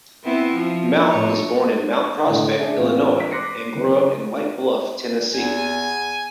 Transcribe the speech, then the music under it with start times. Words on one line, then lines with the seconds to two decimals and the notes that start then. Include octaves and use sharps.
Mount was born in Mount Prospect, Illinois and grew up in White Bluff, Tennessee.
0.23 B3 C4 E4
0.55 F3
1.09 A2 C#5
2.27 A2 D3
2.59 D4 G#4 E5
2.77 A2 E3 B3 C4 F4
3.18 B6 D7
3.31 C6 D6 F#6 A#6 C7 C#7
3.75 F#1 B4
5.34 E2 G#5